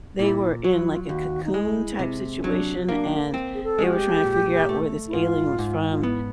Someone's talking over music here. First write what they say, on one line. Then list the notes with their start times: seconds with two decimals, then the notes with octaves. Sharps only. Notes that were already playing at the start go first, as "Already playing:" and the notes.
they were in, like, a Cocoon type situation, and they were trying to figure out where this alien was from,
0.19 A#2 E4
0.64 F#3 F#4
0.73 F4
0.81 E4
0.91 F4
1.04 F4
1.09 D#2 F#4
1.44 D#4
1.54 G#3 E4
1.99 C3
2.37 C#4
2.44 F#3 D4
2.89 A#3 D4
3.34 C4
3.54 G#4
3.64 A4
3.79 G#3
3.84 F#4
3.93 G4
4.24 A#2
4.69 A3
5.08 E4
5.13 G#2 F4
5.58 G#2
5.91 F4
6.03 B3 E4